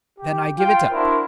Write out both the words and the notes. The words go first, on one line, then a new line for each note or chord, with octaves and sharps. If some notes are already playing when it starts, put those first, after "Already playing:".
"Then I give it up."
G4
F4 G5
D4 E4 F#4 A#4 C5